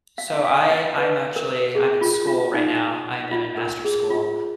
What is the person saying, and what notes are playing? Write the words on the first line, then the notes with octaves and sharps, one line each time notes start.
So I I'm actually I'm in school right now. I'm I'm in master school.
F5
F5
F5
D#5
B4
A#4
G#4
F4
F4
D#4
F4
A#4
G#4
F4